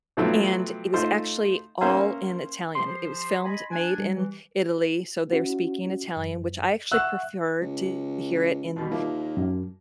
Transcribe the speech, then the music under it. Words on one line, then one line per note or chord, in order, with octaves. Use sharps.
and it was actually all in Italian. It was filmed, made in Italy, so they're speaking Italian, which I actually prefer to hear it in
C3 F3 F#3 A3 B3 C4
A3 D#4 F4 C5
A#3 C#4 C5 E5 F5 G#5
F3 G4 C5 C6
D#5 G#5 B5
D4 G#5
G3
E3
C#4 E4 F#4
F#2
E5 F#5 C#6 E6 F#6
C#2
D#2 B2 G3
D#2 F3 A#3 E4
F#2